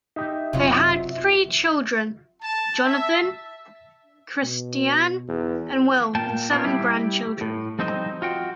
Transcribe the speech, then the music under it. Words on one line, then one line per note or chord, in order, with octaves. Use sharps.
They had three children, Jonathan, Christianne and Will, and seven grandchildren.
D#4 G4 E5
F#1 C3 F#3 E4 F4
A5
E5
B2
E2
A#2 A#3 G5 A5
B3 D#4 F4 A#4
G3 E4 G4
A2
F3 G3 C4 D#4 C5 D#5
F4 F#4 G5